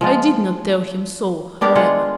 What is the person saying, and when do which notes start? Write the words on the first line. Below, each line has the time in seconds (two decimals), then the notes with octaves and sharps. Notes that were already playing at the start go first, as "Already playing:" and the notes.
I did not tell him so however.
0.01 F3 G#3 F4
1.61 B3 D4 G4 A#4
1.75 G#3 F4 G#4 F#5